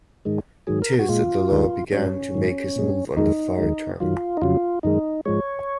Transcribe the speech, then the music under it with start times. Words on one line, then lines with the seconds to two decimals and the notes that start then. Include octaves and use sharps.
Tiz the Law began to make his move on the far turn.
0.25 G#2 D#3 G#3
0.67 G#2 D#3 F#3 G#4
0.82 A#4
0.99 F#4
1.09 A#2 G#3 F4
1.51 D#2 D#3 G#3
1.92 G#2 F#3 C#4
2.34 G#2 D#3 F#3
2.76 A#2 G#3
3.17 F2 D#3 G#3 D#4
3.58 D#2 D#3 G#3
4.00 F#2 D#3 F#3 F4
4.37 D#4
4.42 F2 C#3 F#3 F4
4.83 F#2 D#3 G#3 D#4
5.25 G#2 F3 G#3 C#5